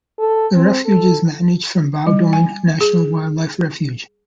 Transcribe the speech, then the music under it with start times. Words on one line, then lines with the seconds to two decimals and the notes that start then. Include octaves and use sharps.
The refuge is managed from Bowdoin National Wildlife Refuge.
0.19 A4
0.54 C4
0.85 A4
2.07 G3
2.33 G#5
2.81 G#4